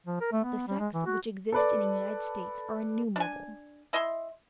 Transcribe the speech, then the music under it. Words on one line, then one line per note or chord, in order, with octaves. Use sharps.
The sects which exist in the United States are innumerable.
F3
A#4
A3
B3
G3
G#3
E3
F#4
A4 B4 D5
D4 G#5
E4 D#5 E5 C6